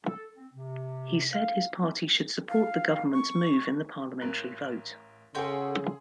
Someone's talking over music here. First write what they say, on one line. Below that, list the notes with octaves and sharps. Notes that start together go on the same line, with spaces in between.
He said his party should support the government's move in the parliamentary vote.
A4
C4
C3
F5
F5
C#6
A1 A#4 F#6
C#3 C#4 F#4 G#4 A4 G5 C6